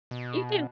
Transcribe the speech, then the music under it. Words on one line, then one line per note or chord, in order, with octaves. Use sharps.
You too.
B2